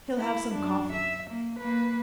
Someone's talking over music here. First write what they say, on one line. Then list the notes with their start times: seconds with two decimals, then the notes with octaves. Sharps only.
He'll have some coffee.
0.18 E4
0.55 F#2 D4
0.93 E5
1.31 A#3
1.60 A#3 B4